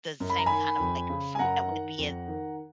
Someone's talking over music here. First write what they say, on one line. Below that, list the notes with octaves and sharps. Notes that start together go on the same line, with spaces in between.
the same kind of like, food that would be an
F#2
B5
A#5
D#3 G#5 B5
F2
C#3
G#5
F#2 F#5 A#5
D#3
F2
D#3